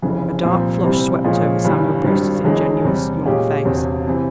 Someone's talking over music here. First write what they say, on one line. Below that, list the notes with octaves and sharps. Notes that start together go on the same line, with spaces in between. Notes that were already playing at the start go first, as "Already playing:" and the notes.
A dark flush swept over Samuel Brewster's ingenuous young face.
F1 F2 C#3 E3
C2 A#2 F3 C4
C3 E3 G3 C4
A#2 F3 G#3 C#4
G1 G2 E3 G3
G#1 G2 G3
E1 E2 E3 G#3
E2 C3 G3
A#2 G#3 C#4 G4
E1 E2 C3
C3 E3